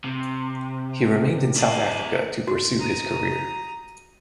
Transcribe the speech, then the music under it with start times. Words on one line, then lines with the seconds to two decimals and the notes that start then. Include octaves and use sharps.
He remained in South Africa to pursue his career.
0.04 C3
1.55 E4 D5
2.47 F#4
2.79 A#5 D#6